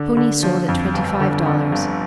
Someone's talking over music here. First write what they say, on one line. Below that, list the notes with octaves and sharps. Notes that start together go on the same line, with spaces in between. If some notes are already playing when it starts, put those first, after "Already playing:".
Ponies sold at twenty-five dollars.
Already playing: D3
D3
F3
F2
G1
D3
D3
G1